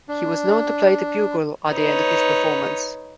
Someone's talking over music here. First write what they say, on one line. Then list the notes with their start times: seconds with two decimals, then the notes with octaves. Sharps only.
He was known to play the bugle at the end of each performance.
0.09 D4
1.70 D#4 B4 C#5